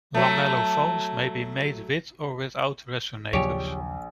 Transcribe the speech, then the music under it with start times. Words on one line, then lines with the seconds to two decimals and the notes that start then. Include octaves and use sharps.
Lamellophones may be made with or without resonators.
0.14 F#3 A3
3.33 A#1 D#2 C#3 F#3 G4 C#5